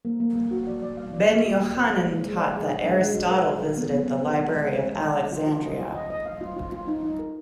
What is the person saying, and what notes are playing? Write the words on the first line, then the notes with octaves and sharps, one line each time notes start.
Ben-Jochannan taught that Aristotle visited the Library of Alexandria.
A#3
A#3
A#3
F#4
D5
D5
F5
D5
A#3
F#4
A#3
A#3
D5
G#3
G#3
D5
G#4
D4
G#3
G#3
F#4
A#4
F5
A#4
B3
B3
B3
B4
G#3
G#3
G#3
G#3
F#5
D#5
F4
F4
D#5
F4
D#5
D#5
F5
F4
F4
F4
D#4
D#4
A#4